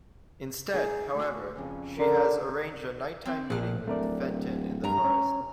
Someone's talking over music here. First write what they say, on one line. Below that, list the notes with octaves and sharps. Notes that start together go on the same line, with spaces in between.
Instead, however, she has arranged a nighttime meeting with Fenton in the forest.
D#4 G#4
A3 F#4
F2 C#3 C#4
D3 A#4
C4
A#1 F6 F#6
D1 A3 A#4 D5
G2 A#4 A#5
C#4 C#5